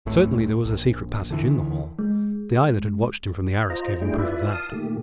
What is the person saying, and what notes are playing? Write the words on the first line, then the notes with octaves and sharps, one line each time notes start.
Certainly there was a secret passage in the hall; the eye that had watched him from the arras gave him proof of that.
D1 G#1 A2 A3
A#1
D3 E3
G#3
F4 C5 D#5 A#5
G3 A3 D4 E4 G#4 G5
E4 F4 B4 D5 E5
F5 A5 D#6
A#2 D#3 A3 G4